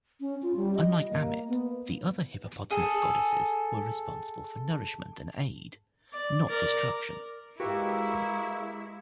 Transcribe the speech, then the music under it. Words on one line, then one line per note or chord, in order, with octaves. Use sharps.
Unlike Ammit, the other hippopotamus goddesses were responsible for nourishment and aid, not destruction.
C#4
F4
G3
D#5
A#3
B3
G#4 A4
D5
A#4 D5
G#3 A#3 E4 F#4 G4 B4 E5 C#6